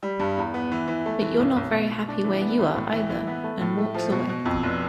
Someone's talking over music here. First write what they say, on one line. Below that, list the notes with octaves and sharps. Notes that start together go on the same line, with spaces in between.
But you're not very happy where you are, either, and walks away.
G3
G2
E2
B3
E3
E3
A3
E3
B1
B1
B2
B2
D4
E3
B3
C2
A2
E3
E3
B3
A3
A2
A3
F3
B2
B2
F2
F1